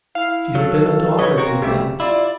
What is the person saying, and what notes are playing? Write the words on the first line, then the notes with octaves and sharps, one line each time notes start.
She had been a daughter to him.
E4 F5
F#3 A4
D3 B4 C#5 D#5
C4 F#4 A#4 C#6
C2 C#3 A3 G4 E5
E4 F4 D5